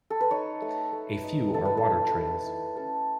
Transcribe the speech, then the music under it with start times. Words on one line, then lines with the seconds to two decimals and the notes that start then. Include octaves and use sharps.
A few are water trails.
0.10 A4
0.21 B4
0.31 D#4 C#5
0.62 A3
0.92 A3
1.24 D#4
1.54 E4 A4
1.65 B4
1.77 A4
1.85 A3
2.16 A3
2.46 E4
2.77 C#4 A4